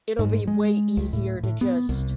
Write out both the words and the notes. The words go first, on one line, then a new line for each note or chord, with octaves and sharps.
it'll be way easier to, just,
G#2
G#3
C#2
A2
A2
B3
C2